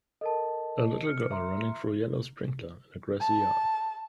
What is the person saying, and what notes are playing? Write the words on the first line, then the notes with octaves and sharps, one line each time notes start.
A little girl running through yellow sprinkler in a grassy yard.
A4 A#4 D#5 A5
F6 C#7
E5 A#5 C6
A5